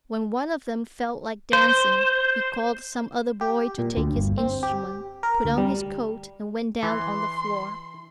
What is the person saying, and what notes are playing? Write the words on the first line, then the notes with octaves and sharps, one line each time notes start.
When one of them felt like dancing, he called some other boy to take his instrument, put on his coat, and went down on the floor.
C5
G4
A#2
D2
G1
C4
G4
A#4
D2
G3
E3 C6